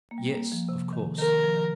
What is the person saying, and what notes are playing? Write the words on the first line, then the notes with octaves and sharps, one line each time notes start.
"Yes; of course."
A#3
G3
A#3
F3
C3
D#3
D#3 A#4
F3
D#3